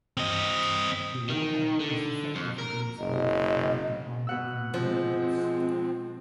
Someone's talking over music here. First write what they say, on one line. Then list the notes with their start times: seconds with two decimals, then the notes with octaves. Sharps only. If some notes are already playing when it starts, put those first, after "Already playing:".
The warhead is effective against both vehicle armour and brick walls.
0.17 C4 D#5
1.30 D#3
1.80 D3
2.35 F2
2.58 A#4
2.99 F#1 D#5
4.27 B2 F#5 E6
4.74 F3 G#3 C4